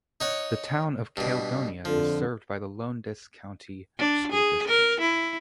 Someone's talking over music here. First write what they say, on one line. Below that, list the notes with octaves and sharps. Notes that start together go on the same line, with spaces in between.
The Town of Caledonia is served by the Lowndes County School District.
D#4 C#5 F#5
G2 B2
F2 D3 F3
D4
G#4
A#4
E4